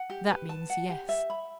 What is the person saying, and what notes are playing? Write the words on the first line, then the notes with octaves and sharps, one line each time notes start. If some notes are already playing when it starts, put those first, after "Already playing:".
That means yes.
Already playing: F#5
G4
B4
A5
F#5
G4
E5
B5